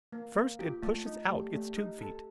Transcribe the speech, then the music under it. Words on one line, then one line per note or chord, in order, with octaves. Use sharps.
First, it pushes out its tube-feet.
A#3
A#3
F4 G4
A3
D#4
A3 G4
A3
D#4
A4